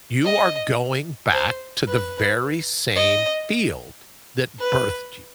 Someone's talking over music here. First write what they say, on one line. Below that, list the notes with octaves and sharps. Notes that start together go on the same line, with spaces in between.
you are going back to the very same field that birthed you.
D#5
C5
B4
D#5
B4